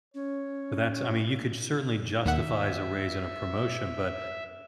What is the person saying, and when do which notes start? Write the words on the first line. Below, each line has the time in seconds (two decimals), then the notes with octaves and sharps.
But that's I mean, you could certainly justifies a raise and a promotion, but
0.14 C#4 C#5
2.26 D#2 E5 F#5